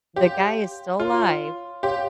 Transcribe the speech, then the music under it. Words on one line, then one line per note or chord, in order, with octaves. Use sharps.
the guy is still alive,
G4 C#5 F5 C6
F4 C#5 F5 C6
G4 C#5 F5 C6